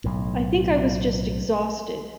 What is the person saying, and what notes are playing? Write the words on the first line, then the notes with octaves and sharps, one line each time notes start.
I think I was just exhausted.
B1 A2